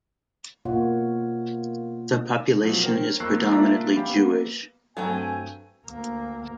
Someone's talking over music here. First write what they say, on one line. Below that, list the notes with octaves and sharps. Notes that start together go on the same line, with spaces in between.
The population is predominantly Jewish.
B2 A#3 F4 C#5 D#5 F#5
B2 F3 F#3
A#4 C5 C#5 G5
F2 A#3 C#6 E6 F#6 C7
A#3 D4 F4 D5 E5 A#5
C#4 G4 F5 B5
A#3 B3
G2 F#3 A3 C4 G#5
D2 A#3